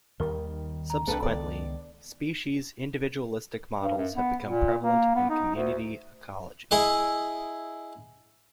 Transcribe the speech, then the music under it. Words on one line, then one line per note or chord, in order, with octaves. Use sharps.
Subsequently, 'species-individualistic' models have become prevalent in community ecology.
D#2 D#3 G3 A#4
A#5
C2 C3 D4 A4 B4
C#2 D#3 B3 D5
G2
F#2
B3
A#2
A#3
B3
D#4
D2
E4 G#4 D#5